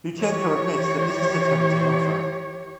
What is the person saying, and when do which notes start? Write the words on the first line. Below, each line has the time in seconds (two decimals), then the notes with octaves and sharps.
Luchenko admits that this is a tempting offer.
0.16 E3 G4 C#5